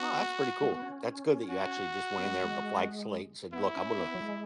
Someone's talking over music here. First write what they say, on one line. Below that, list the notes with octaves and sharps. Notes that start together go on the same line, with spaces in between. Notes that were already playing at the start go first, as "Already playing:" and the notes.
Oh, that's pretty cool. That's good that you actually just went in there with the flag slate and said, "Look, I'm gonna
Already playing: B3 F#4
G#3
B3
C#4
F#4
B3
G#3
F#3
G#3
B3 E4
C#4
B3
F#3
G#3